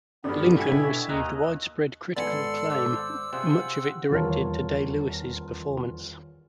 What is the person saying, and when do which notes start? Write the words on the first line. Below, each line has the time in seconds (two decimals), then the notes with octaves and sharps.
"Lincoln" received widespread critical acclaim, much of it directed to Day-Lewis's performance.
0.24 G#1 G2 D3 B3
0.57 B2 E4 E5 G5 G#5 G#6
1.09 D#2 D#5 A#5 E6 F#6
2.17 G#1 B3 A4 D5 G#5 C6 C#7
2.70 C5 D5 E6
3.33 C3 C4 F4 G#4 C5 F#5
4.10 D#1 E2 F4 A#4 C#5 A5